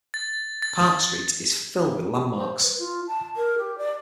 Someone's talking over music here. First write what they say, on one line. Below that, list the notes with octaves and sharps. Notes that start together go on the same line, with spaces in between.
Park Street is filled with landmarks.
A6
A6
C5
B4
F4
A5
A#4
G4
D5